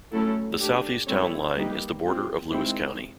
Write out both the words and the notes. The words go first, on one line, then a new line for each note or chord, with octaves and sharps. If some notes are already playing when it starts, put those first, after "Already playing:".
The southeast town line is the border of Lewis County.
F#3 A3 C#4 E4 A4
A3 D4 G4
G3 C4 E4 A4 C#5
G3 A#3 D#4 G4 B4
G#3 C4 F4 G#4
D#3 G#3 C4 E4